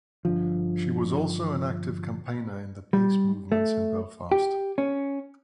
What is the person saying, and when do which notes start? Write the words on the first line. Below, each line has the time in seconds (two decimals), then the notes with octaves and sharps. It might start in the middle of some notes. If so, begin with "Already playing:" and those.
She was also an active campaigner in the peace movements in Belfast.
0.25 G1 D3 F3
2.93 G3
3.52 A3
4.32 G4
4.78 C#4